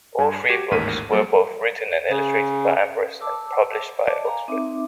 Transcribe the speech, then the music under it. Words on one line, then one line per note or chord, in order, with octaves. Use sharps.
All three books were both written and illustrated by Ambrus and published by Oxford.
G2 G#5
F#4 G4 G#6 A#6 D7
A1 D#2 G#2 A#4 B6 D#7
F#3 G3 A#3 A4 C5
C#3
A5 D6 E6
D5 D#5 A5 D6
F5 G#5 A#5
C4 D#4 E5 D6